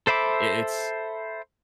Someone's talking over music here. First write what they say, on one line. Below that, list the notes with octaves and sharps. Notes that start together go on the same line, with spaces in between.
i it's
A4 C5 E5 B5 D6